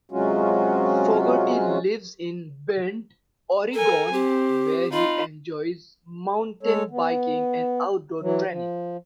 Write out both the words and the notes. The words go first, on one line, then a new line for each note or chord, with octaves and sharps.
Fogarty lives in Bend, Oregon, where he enjoys mountain biking and outdoor training.
C3 F#3 G#3 C#4 F4 F#4
A4 A#4 G#5
C4 G4
D#4 F4 B5
G#3 A4 C#5
B3
E3 F#3
F3